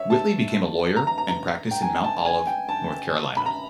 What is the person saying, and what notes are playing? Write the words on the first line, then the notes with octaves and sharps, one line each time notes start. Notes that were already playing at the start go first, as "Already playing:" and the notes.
Whitley became a lawyer and practiced in Mount Olive, North Carolina.
Already playing: C#5 E5
A5
A#5
A#5
A#5
A#5
G5
G#5
A5
G#5
G5
A5
B5
A#5